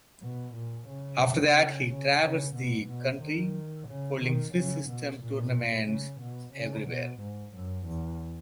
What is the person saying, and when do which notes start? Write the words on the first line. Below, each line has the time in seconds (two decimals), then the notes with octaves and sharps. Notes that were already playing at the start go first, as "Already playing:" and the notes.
After that, he traversed the country, holding Swiss system tournaments everywhere.
0.22 B2
0.55 A#2
0.88 C#3
1.88 C#3
2.22 C#3
2.55 B2
2.88 B2
3.21 D#3
3.88 C#3
4.22 D#3
4.54 C#3
4.88 B2
5.22 A#2
5.87 C#3
6.21 B2
6.54 C#3
6.88 B2
7.20 G#2
7.55 F#2
7.87 E2